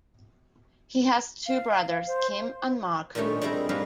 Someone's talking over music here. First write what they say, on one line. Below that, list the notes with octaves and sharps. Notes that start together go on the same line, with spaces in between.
He has two brothers, Kim and Mark.
F5
C5
A#2 D#3 G3 A3 C#4 D4
G3 C4 D#4 E4 G#4 A#4
G#2 G3 D4 A#4 B4 F5